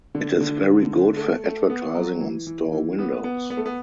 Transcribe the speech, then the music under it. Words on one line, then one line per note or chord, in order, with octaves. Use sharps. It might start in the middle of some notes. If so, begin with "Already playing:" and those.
It is very good for advertising on store windows.
D3
D3
A3
A3
B3
F#3
E3
E3
E3
B3
B3
B3
A3
B3